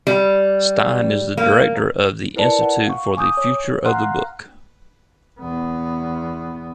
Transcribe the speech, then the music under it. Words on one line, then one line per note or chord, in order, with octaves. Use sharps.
Stein is the director of the Institute for the Future of the Book.
G3
A#3
E4 A#4 B4 D5 A5
F#5
F5 C#6
G#5 D6 D#6 G6
C#5
F5 F#5 A#5 C6 F6 F#6
E2 B3